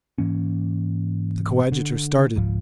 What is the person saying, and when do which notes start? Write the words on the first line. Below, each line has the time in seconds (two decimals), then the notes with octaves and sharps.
The coadjutor started.
0.18 G#2 E3 A#3 C#4
1.72 D3
2.36 G#1 C#2 G#2 F3